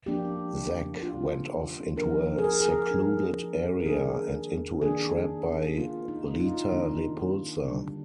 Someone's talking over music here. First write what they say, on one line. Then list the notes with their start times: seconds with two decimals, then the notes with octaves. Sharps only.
Zack went off into a secluded area, and into a trap by Rita Repulsa.
0.06 F3 A#3 D4 G4
1.02 F3 A#3 D4 F4
1.96 F3 A#3 D4 A#4
2.38 G#4
2.44 A#4
2.61 G#4
2.68 A#4
2.91 F3 A#3 D4
3.80 A#4
3.86 D#3 A#3 D4 G#4
4.82 D#3 A#3 D4 G#4
5.77 D#3 A#3 D4 F4
6.08 D#4
6.36 D#4
6.40 F4
6.72 D#3 A#3 D4
7.66 D3 G3 A#3 D4